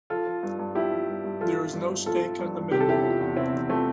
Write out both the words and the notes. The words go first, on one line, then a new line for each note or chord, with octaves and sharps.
There is no steak on the menu.
F3 F4 A4
F3
G2
G2
F3 E4 G4
F3
G2
G2
F3 F4 A4
F3
G2
G2
F3 F4 A4
F3
G2
G2
C3 G4
A4
E2 E4 G4
F3
E2
C3 C4 E4
E2
F3 A3 C4